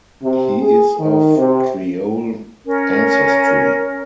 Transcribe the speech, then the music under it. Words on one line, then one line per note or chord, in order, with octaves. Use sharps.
He is of Creole ancestry.
C3
G#4
D#3
C3
C#4 A#4